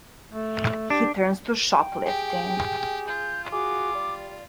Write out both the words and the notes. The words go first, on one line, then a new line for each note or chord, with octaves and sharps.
He turns to shoplifting.
A3
D4 G4
G5
G4 G#4
F4 G6
F#4 G#4 D6
G3 D5